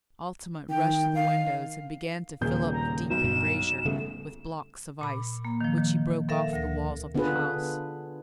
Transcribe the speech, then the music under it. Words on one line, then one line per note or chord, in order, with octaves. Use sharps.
Altamont rushed to the windows, and began to fill up the deep embrasure with blocks of ice, which he broke off the walls of the house.
D#3 G5
F5
D#1 A#2 C#3 G3 G#4 G6
A#5
B1 E7
G2 B2
C#3 G3 A3 B3
A#2 B5
A#3
D#3 F3
D#3
A4 A#4 E5 F5
D2 A#6
D3 B3 D4 F4 G#4 B4